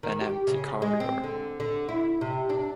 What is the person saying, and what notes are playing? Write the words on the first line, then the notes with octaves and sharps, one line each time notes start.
An empty corridor.
D#3
G4
C#3
G#3
C4
D3
D3
E4
C3
D4